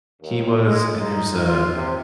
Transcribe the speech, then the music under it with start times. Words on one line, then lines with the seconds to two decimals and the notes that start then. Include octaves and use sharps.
He was, and there's a
0.21 D#2
0.64 G#3
0.99 D#4
1.44 F4
1.73 C3